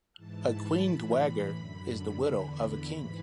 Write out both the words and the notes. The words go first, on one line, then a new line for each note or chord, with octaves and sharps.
A queen dowager is the widow of a king.
G#2 E3 A5
B5
A2 E3 B5
F#2 D3
E2 D3
G#2 E3